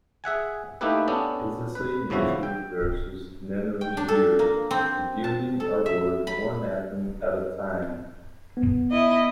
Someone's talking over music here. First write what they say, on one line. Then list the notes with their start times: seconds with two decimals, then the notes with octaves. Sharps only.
His essay Nature versus Nanoengineering: Rebuilding our world one atom at a time.
0.24 G#4 E5 F#5 G#5
0.81 A3 A#3 D#4 E4 G4 B4
1.08 B3 C#4 D4 A4
1.75 B4
2.10 E2 C#3 F3 E4 F#4
2.43 G5
3.81 G5
3.97 D4
4.08 A4
4.39 A#3
4.71 C4
5.24 A5
5.60 A4
5.86 E5
6.27 B5
8.57 B3
8.91 E4 D#5